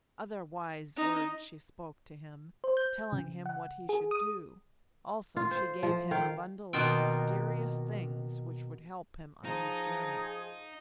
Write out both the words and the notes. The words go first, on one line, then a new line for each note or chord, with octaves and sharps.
Other wise words she spoke to him, telling him what he should do; also she gave him a bundle of mysterious things which would help him on his journey.
D#4
C5
G6
C#3
F#5
G#4
D#6
F4
C5
F3
D#3 F5 G5
B2 D#3 A#3 F4 G5
F3 D#4 G#4 A#5